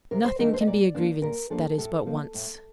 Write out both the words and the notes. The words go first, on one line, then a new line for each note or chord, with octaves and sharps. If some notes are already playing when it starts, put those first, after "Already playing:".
Nothing can be a grievance that is but once.
C3 A#4
C5
D#3 A3 D4 A#4
C5
D#5
A#2 D5
F3 A#3 D4
A#2 A#4
F3 A#3 D4 A4
A2 A4
F3 A#3 D#4
A2